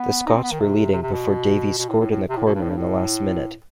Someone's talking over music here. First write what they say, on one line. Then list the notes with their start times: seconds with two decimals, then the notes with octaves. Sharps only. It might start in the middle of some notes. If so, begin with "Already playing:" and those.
The Scots were leading before Davies scored in the corner in the last minute.
Already playing: B3
0.26 D#4
0.35 C4
0.43 B3
0.52 D#3
0.60 C3
0.92 C3
1.02 C3
1.13 B2
1.78 B2
1.89 A2
1.99 A2
2.11 A2
2.29 C3
2.37 A2
2.45 B2
2.54 G2
2.62 A2
2.69 G2
2.77 A2